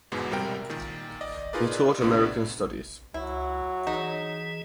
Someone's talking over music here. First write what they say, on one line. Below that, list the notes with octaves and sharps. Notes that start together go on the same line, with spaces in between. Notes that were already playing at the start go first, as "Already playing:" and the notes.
He taught American studies.
G1 E2 G#2 B2 G#3
A#1 C3 G3 A#4 G5
A#2 D#3
D5 D#5
D#4 F4 G#4 A#4 B4 D5
A2 C3 B3 D4
C#2 F#3 E4
E3 D#4 G#4